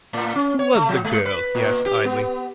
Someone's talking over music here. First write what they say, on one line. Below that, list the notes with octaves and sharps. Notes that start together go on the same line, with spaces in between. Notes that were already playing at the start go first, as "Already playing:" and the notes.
"Who was the girl?" he asked idly.
A2
C#4
C#5
A3
F3
G#3
B4
A#2
G4
B3